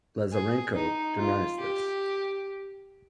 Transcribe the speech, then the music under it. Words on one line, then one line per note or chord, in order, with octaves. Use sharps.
Lazarenko denies this.
G#4
D#4
F4
G4